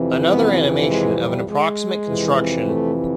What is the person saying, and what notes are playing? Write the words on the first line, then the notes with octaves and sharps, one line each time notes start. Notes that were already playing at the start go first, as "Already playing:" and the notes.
Another animation of an approximate construction.
Already playing: F2 C3 E3
B3
G#3
G3
G#3
F2 C3 E3
A3